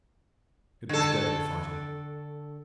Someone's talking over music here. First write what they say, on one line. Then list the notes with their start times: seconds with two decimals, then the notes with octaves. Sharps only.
It was deadly fighting.
0.89 D3 A4